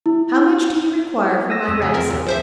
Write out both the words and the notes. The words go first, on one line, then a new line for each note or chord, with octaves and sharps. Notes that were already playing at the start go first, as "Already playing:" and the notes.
"How much do you require for my ransom?"
E4
D#6 E6 A#6
F2
C#3 G#4
C4 A#4
D#2 A#2
F3 C5 E5